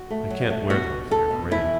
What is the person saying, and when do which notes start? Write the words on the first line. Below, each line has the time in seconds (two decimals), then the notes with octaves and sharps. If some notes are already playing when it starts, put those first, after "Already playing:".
I can't wear them if they are grey.
Already playing: F#4
0.10 A3
0.30 F#3
0.50 A3
0.70 B2 F#4
0.90 B2
1.11 B2 A4
1.31 B2
1.51 E3 E4